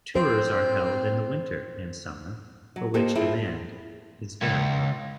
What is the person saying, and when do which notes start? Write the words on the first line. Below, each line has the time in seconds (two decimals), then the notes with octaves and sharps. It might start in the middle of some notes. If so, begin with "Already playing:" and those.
Tours are held in the winter and summer, for which demand is very high.
0.15 C4 C5
2.76 F#3
2.94 A#3 D#4 G4 A4 C5
3.15 C4 E4 F4 G#4 A4
4.42 C#2